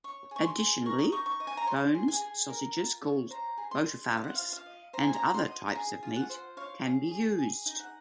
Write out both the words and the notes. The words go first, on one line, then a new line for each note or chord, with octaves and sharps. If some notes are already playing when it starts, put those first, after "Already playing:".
Additionally, bones, sausages called botifarras, and other types of meat, can be used.
C#5 C#6
G#4 C#6
C6
G#4
A#4 C#6
D#6
D#4 C#6
C#6
D#5
G#5
A#5
C#5 C6
G#4
G#5
G#4
A#4
F4
C#5
C5 A#5
G#4
C6
D#5
C5 F5
F#5
F4 F5
F5
D#5
C5 A#5
G#5
A#5
F#4
A#5
C6
D#5
A#5
G#4 G#5
F4
F#5
C5
C#5 F5
G#4
G#4
G#4
D#4
F#5